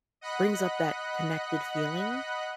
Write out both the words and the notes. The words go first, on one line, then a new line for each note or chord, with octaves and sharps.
brings up that connected feeling,
D#5 F#5 B5 F#6